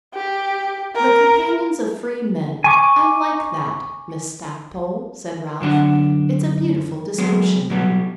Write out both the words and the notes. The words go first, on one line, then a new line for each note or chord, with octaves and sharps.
"The companions of freemen--I like that, Miss Stackpole," said Ralph. "It's a beautiful description."
G4
A#4
G#5 C#6 D6
F#2 D3 D4 F#5
F#3 G#3 B3 G#4
B2 F#3 G3 B3